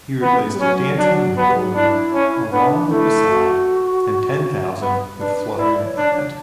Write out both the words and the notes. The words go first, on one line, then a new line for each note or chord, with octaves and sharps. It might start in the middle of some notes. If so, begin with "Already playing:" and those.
He replaced "dancing" with "golden"; "along" with "beside"; and "ten thousand" with "fluttering and".
E3 B3
C#4
B3
A3
G3
F#3 C#4
F#3 D4
F#3 B3
G3
F#3
D4 E4
C#4
B3 D4
A3 E4
F#4
B3
D4 B4
E4 D5
C#5
D4
C#5